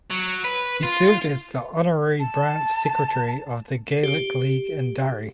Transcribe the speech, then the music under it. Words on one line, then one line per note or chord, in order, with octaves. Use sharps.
He served as the honorary branch secretary of the Gaelic League in Derry.
F#3
B4
F4
A5
G4